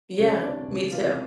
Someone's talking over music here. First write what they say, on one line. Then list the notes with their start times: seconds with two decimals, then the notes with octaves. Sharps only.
Yeah. Me too.
0.19 C#2 C#4 C#5
0.43 C3 E3 G3 C4 D4 D5
0.68 C#2
0.92 C3 E3 G3 C4 F4 F5